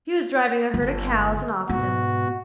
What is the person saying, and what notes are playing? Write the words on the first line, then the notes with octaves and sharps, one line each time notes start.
He was driving a herd of cows and oxen.
G1
G#2 B2 F#4